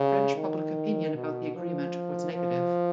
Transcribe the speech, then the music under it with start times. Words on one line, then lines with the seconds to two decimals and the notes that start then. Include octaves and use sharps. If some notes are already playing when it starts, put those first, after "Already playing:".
French public opinion about the agreement was negative.
Already playing: C#3
0.36 D#3
1.15 B2
1.55 F3
2.34 F3